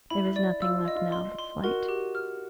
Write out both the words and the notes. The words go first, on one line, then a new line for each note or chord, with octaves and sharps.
There was nothing left now but flight.
E4 B5
D5
F4 E6
F4
D#5
F4
C6
C6
F#4 A#4
G4
F6